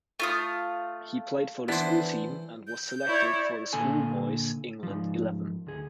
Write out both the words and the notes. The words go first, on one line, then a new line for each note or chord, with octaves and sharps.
He played for the school team and was selected for the schoolboys' England eleven.
A3 F4 D#6
E3 B3 D4 E4 C5
G6
E4 C#5 D5
A#2 D3 A4 G#5
G#2 F3
D2 G#4